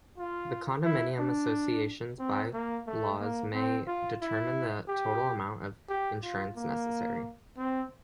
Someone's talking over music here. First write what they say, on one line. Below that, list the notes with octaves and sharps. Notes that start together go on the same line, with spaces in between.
The condominium association's by-laws may determine the total amount of insurance necessary.
F4
E4
D4
C4
A#3
A3
A#3
C4
F4
E4
G4
G4
F4
A#3
C4